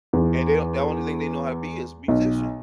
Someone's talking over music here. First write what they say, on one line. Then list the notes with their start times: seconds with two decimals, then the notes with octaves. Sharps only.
and they don't the only thing they know how to be is musicians,
0.13 E2
2.08 B1